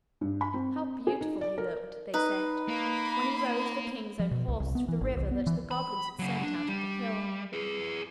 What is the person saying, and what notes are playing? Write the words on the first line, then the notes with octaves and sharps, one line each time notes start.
How beautiful he looked, they said, when he rode the king's own horse through the river that the goblins had sent out of the hill!
G2
B5
C4
G#4
D#4
D5
A#4
D#4 B4
A#3 A#4 B5
F3
B2
C2
C2
B3
E3
G#1
C2
B3
E3
B5
C#3 F#3
D4
G3
G#4 B4